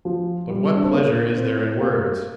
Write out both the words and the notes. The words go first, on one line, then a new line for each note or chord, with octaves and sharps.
But what pleasure is there in words?
F3
G3
D4
C4
A#3
C4
A#3